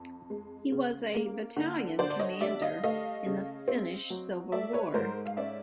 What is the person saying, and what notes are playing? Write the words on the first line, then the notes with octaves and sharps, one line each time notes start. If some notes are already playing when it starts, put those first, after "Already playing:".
He was a battalion commander in the Finnish Civil War.
Already playing: F2
G#3
C#3
A#3
D3
D3 C5 D5
D5
C#5 D#5
G3 D5 E5
D#5 F5
A3 D#5 F5
C#3
C4
F#3
A3 D5 E5
B4 C#5
G#2 A#4 C5
F5
C#4 D5 E5